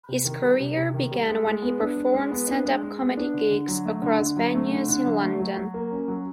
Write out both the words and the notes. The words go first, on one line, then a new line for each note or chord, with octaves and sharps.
His career began when he performed stand-up comedy gigs across venues in London.
C3
D#3
G3
C3
C3
D#3
G3
G#3
G#3
B3
D4
G#3
G#3
B3
D4
G#3
G#3
B3
D4
D3
D3
F#3
A3
D3
D3
F#3
A3
D3
D3
F#3
A3
F#3
F#3
A#3
C#4
F#3